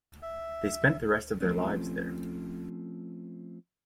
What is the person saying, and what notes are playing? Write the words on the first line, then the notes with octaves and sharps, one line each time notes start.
They spent the rest of their lives there.
E5
F3 A3 C4 C#4